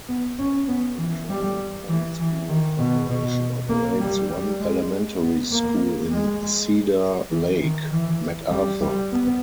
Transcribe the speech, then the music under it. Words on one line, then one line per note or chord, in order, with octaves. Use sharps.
The Crown Point school corporation operates one elementary school in Cedar Lake: MacArthur.
B3
C#4
B3
E3
G3
E3
E3
D#3
B2
B2
A#3
G3
G3
G#3
B3
A#3
G#3
E3
D#3
E3
G3
G3
B3